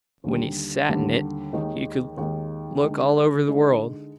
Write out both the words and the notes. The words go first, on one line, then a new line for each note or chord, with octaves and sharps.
When he sat in it he could look all over the world.
D#2 D3 G3
D#2 D3 G3
D#2 D#3 G#3 D#4
D#2 D#3 G#3 D#4
D3 G#3 D#4
D3 G#3 D#4